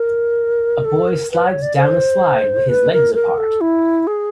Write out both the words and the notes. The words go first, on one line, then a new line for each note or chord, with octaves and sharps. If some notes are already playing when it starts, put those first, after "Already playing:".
A boy slides down a slide with his legs apart.
Already playing: A#4
A4
A#4
B4
C#5
D5
C5
B4
A#4
A#4
A4
E4
G#4